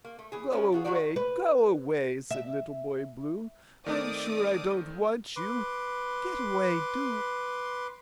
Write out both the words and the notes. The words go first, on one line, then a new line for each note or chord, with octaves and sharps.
"Go away! go away!" said Little Boy Blue; "I'm sure I don't want you--get away--do."
A#3
A3
E3 G#4
F#3 B3 C#4 E4 A#4
F4 F#4 G#4
D#3 F#3 G3 A#3 F#4 D5
B4
E5
D#3 A3 C4 D5 D6 D#6
B4 C6 D6